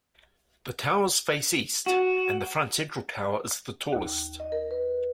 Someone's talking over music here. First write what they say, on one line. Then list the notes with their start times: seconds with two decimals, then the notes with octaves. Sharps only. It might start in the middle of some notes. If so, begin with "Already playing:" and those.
The towers face east, and the front central tower is the tallest.
1.86 F#4
3.93 D#2
4.40 D#5
4.52 A#4
4.71 B4